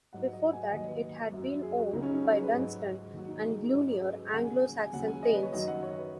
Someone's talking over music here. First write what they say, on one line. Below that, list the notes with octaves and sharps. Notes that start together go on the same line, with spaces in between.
Before that it had been owned by Dunstan and Glunier, Anglo-Saxon thanes.
G#2 F#3 F#5
F#5
D#5
F#5
G#5
F#5
D#2 D#3 F#3 D#5
B4
F#2 F#3
G#4
F#4
C#2 C#3 F#3 D#4
C#4
D#4
F#4
G#4
B4
G#2 F#3 F#4
D#2 D#3 F#3 F#4
D#4
G#4
D#4
G#2 F#3 C#4
G#4
B4
G#4
D#2 C#3 F#3 F#5
G#5
G#5
D#2 C#3 F#3 F#5
G#5
D#5
B4
C#5
F#2 D#3 F#3 D#5
F#5
C#5
B4